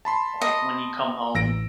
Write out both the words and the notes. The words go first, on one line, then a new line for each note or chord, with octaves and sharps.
like, when you come home,
A5 B5 C6
D#5
A1 E6 A#6 D7